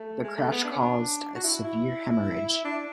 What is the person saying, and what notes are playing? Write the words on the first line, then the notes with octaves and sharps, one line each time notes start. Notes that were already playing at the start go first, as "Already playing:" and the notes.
The crash caused a severe haemorrhage.
Already playing: A3
G#3
A3
B3
D4
C#4
D4
F#4
E4
E4
D4